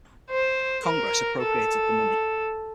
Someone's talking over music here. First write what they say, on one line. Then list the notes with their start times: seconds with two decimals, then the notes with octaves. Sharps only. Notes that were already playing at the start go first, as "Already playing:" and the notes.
Congress appropriated the money.
0.30 C5
0.86 A#4
1.42 A4